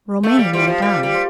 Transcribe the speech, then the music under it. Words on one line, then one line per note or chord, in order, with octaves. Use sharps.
Romayne went on.
A3 A#3
G3
G3 F4 C5 F5
F3
G3 A#3
G3
C5 F5